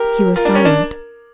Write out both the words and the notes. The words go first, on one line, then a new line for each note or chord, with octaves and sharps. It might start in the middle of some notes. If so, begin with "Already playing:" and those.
He was silent.
Already playing: G4 A#4
F4 A#4
D4
C#4
D4